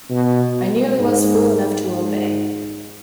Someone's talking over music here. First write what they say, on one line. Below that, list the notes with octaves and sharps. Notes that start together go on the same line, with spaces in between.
I nearly was fool enough to obey.
B2
G#2
G#2